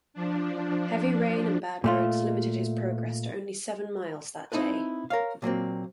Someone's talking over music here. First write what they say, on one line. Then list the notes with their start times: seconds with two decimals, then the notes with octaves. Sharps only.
Heavy rain and bad roads limited his progress to only seven miles that day.
0.14 F3 D4
1.84 A#2 A3 F4
4.52 C4 D#4 E4 A4 B4
5.10 A#4 C#5 F5
5.42 A#2 F#3 A#3 C4